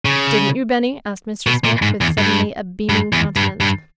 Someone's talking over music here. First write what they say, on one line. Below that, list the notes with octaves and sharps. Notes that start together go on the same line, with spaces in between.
"Didn't you, Benny?" asked Mr. Smith, with suddenly a beaming countenance.
C#3
B2
A#2
G#2
E2
G2
G2
E2
G2
G2